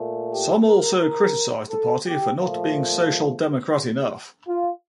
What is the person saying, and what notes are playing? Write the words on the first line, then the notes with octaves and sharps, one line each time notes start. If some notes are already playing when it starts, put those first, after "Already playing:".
Some also criticize the party for not being social democratic enough.
Already playing: A#2 A3
G4
A#4
A#4
A4
G4
A#2 F3 A3
F4